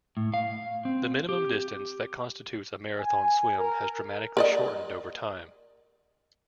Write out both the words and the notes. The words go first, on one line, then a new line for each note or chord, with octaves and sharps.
The minimum distance that constitutes a marathon swim has dramatically shortened over time.
A2
F5
C4
G4
G#5
A#4
A#4 D5 D#5